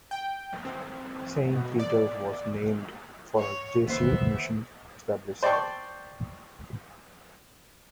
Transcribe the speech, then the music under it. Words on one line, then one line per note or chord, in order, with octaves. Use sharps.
Saint Peters was named for a Jesuit mission established there.
G5
C4
B2
D5
C#5
D3 D#3 A#3 B3 C5 E5
C5 D5 G5 A5 C#6